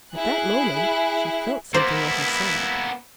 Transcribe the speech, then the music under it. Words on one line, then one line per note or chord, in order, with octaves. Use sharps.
At that moment she felt something at her side.
E4 G#4 F#6
A#3 B3 E4 C5 D5